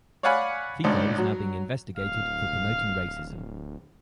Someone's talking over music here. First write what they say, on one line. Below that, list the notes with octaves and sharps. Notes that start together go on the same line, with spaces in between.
Fico is now being investigated for promoting racism.
C#5 D5 F5 F#5 G#5 B5
G#1 C#2 D4
F#3
D1 F5